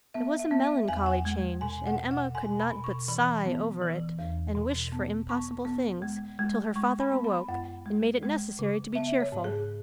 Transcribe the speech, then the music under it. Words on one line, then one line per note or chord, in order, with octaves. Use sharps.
It was a melancholy change; and Emma could not but sigh over it, and wish for impossible things, till her father awoke, and made it necessary to be cheerful.
B3 E5
E5
B3
E5
E2 G#5
F#5
G#3
B2 G#5
F#5
B2
F#5
B2 G#5
B5
B2
C#6
E3 B5
B3
E3
E2
B2
B3
B3 C#6
B3
G#3
G#3
G#3 C#6
B5
B3
B5
F#2 F#5
G#3
G#3
C#3
B3 E5
C#5
G#2
G#4